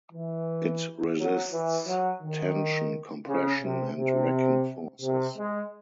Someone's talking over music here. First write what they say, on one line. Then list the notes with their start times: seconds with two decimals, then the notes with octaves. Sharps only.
It resists tension, compression, and racking forces.
0.11 E3
1.17 F#3
1.51 E3
1.86 F#3
2.22 D#3
3.27 C#3
3.62 C3
3.96 C3
5.02 C3
5.37 G#3